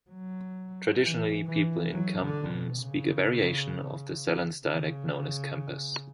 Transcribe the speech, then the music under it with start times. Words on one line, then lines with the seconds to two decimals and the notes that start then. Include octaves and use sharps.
Traditionally people in Kampen speak a variation of the Sallands dialect, known as Kampers.
0.10 F#3
1.02 E3
1.47 E3
1.93 F#3
2.23 D3
2.53 B2
2.84 C#3
4.66 C#3